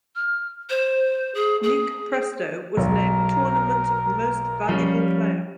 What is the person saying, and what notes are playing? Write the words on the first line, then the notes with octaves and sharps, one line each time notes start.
Nick Presto was named Tournament Most Valuable Player.
F6
C5
G#4
G#4
B1 A#4
F3 G3 C#4